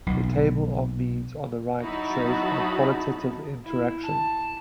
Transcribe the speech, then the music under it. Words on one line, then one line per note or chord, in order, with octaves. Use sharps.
The table of means on the right shows a qualitative interaction.
B1 B2
F#3 D#4 E4 F#4 A5 B5
E4
A5